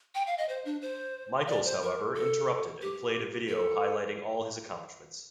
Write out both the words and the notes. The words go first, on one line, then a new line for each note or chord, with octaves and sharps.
Michaels, however, interrupted and played a video highlighting all his accomplishments.
G5
F5
D#5
C5
D4
C5
D5
C5
A#4
A4
G4
A4